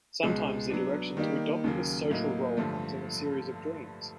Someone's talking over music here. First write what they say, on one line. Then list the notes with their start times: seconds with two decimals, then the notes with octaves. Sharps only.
Sometimes the direction to adopt this social role comes in a series of dreams.
0.23 C#2 B2 G#3
0.70 F#3 B3 D4
1.17 D#3 G3 A#3 D#4 G4
1.64 D#2 C#3 F#3 A#3
2.11 A2 F#3 A#3 D#4
2.57 G2 D3 F3 A3